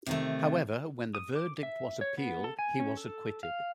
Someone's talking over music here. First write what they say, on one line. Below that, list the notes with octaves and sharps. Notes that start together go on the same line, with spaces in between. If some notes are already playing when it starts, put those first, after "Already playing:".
However, when the verdict was appealed he was acquitted.
C3 D#3 A3
D#6
D6
E5
C#5
B3
A4
G#5
C#4
A4
F5